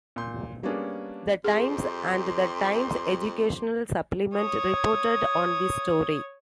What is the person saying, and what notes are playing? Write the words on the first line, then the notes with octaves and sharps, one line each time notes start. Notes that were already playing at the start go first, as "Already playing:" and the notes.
"The Times" and "The Times Educational Supplement" reported on this story.
A#2 C6 G6
G3 A#3 B3 C#4 D4 G#4
F2 G4 G#4 C6
C#5 D#6